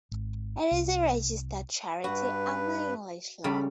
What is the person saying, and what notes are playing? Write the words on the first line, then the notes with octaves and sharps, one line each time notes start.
It is a registered charity under English law.
G#1
C2
G2 F#4 B4
C#3 G3 A4 B5